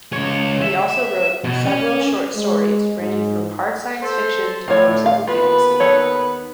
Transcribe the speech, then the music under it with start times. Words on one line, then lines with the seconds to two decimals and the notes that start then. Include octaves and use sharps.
He also wrote several short stories, ranging from hard science fiction to whimsical fantasy.
0.13 C#2 C#5
0.62 E5
1.44 B2
1.65 C#4
2.34 G#3
3.00 G#2
4.02 A4 C5
4.68 A2 D3 F4 C#5
5.06 F5
5.27 D#2 B3 F4 B4
5.80 D#4 A4 C#5